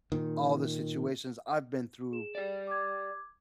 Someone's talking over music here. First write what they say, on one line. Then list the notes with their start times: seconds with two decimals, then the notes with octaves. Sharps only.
all the situations I've been through
0.12 A#2 D#3
2.12 G#4 E7
2.35 G4 D5
2.67 D6 G#6